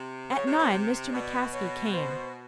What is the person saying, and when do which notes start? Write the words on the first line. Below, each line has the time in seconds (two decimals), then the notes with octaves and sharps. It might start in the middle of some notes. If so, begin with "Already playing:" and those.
At nine Mr. McCaskey came.
Already playing: C3
0.32 C#3 C#5
0.46 C3
0.58 B2
0.71 C3
1.12 B2 D5
1.53 C#5
1.93 C5